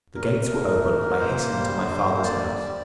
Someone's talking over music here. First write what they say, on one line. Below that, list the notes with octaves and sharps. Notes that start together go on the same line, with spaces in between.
The gates were open, and I hastened to my father's house.
A#2 A#4
A3
A#2
A3
E3
E3
A#2 C5
A#3
G3
D3
G3
A#3
D3 D5
G3
G3